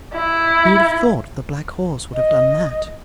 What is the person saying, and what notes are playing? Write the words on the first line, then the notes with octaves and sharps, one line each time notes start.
Who would have thought the black horse would have done that?
E4
D#5